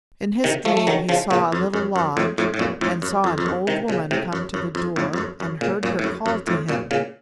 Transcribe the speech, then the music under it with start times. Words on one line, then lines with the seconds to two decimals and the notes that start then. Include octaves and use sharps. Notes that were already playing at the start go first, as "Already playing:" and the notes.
In his dream he saw a little lodge, and saw an old woman come to the door and heard her call to him.
0.44 C3 D#3
0.65 F3 A3
0.77 A3
0.87 D#3 F#3
1.09 C#3 F3
1.30 A#2 C#3
1.52 F2
1.74 F#2
1.96 F#2
2.17 F2 A2
2.38 F2 A2
2.54 A2
2.59 F#2 A#2
2.81 F2 A2
3.02 F#2
3.24 F2
3.38 F2
3.46 F#2
3.67 C3 D#3
3.88 A#2 C#3
4.11 A2 C3
4.33 F#2
4.54 F#2
4.75 F2
4.96 F2 A2
5.13 F2
5.18 F#2
5.40 F#2
5.61 A#2 C#3
5.83 F#2 A#2
5.99 A2
6.04 F#2
6.26 F#2
6.47 F2 A2
6.69 F#2 A#2
6.91 A#2 C#3